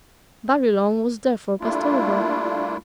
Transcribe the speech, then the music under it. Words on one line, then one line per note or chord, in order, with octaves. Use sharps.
Barillon was therefore passed over.
G3 A3 A#3 D4 E4 F4